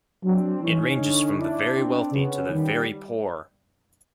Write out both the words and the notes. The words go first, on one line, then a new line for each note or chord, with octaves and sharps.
It ranges from the very wealthy to the very poor.
F#3 C4 D4
E3 C#4 D#4
D3
D4 E4
C4 D4
C#3 B3 C#4
D#3 G3